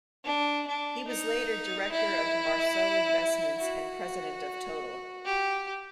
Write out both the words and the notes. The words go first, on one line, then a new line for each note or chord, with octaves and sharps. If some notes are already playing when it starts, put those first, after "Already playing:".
He was later director of Marceau Investissements and President of Total.
D4
D4
D#4
E4
F#4
G4